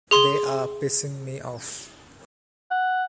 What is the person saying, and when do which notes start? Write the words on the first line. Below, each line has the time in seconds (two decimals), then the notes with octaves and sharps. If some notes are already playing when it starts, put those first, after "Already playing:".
They are pissing me off.
0.11 G#4 C6 F7 G7
2.71 F#5